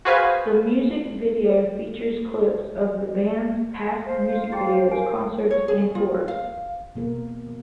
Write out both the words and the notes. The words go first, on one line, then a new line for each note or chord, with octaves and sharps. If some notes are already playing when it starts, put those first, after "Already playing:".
The music video features clips of the band's past music videos, concerts, and tours.
F#4 G#4 B4 C5 F5 G#5
C5 F5
E4 G#4 G5
A#4 G#5
C#5
G#4
F4
F5
B2 A#3 A#4